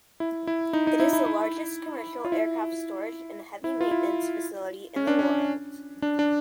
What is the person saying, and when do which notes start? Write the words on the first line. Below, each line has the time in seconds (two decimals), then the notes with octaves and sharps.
It is the largest commercial aircraft storage and heavy maintenance facility in the world.
0.20 E4
0.47 E4
0.73 D#4
0.87 D#4
1.00 E4
1.13 E4
1.26 E4
2.25 F4
2.32 E4
3.64 E4
3.81 F4
3.91 E4
4.96 C#4
5.07 D4
5.19 C#4
6.02 D4
6.19 D4